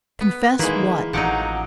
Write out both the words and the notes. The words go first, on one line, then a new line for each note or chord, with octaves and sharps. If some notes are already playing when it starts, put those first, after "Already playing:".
"Confess what?"
B3
D#3 E3 G#3 A#3 B5
A1 F3 F#3 D#4 F#5 D6